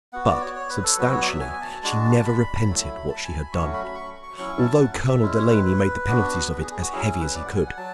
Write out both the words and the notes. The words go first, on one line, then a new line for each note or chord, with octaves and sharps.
But substantially she never repented what she had done, although Colonel Delaney made the penalties of it as heavy as he could.
B3 F#4 F#5
D5
C#5
C#5
B4
A4
F#3 B3 F#4 B4
C#5
D5
E5
G#5
G#5
A5
G#3 D4 F#4 A5
A5
B5
F#3 A3 E4
A5
G#5
B5
F#3 A3 C#4 F#4 C#6
B5
B5
C#6
C#6
F#3 C#4 E4 C#6
A5
F#5
E5
G#3 C#4 E4
C#5
B4
B3 D4 F#4
B4
G#4
G#4
F#4
F#3 C#4 E4 G#4
G#4
B4
D5
F#5
G#5
F#5
F#3 A5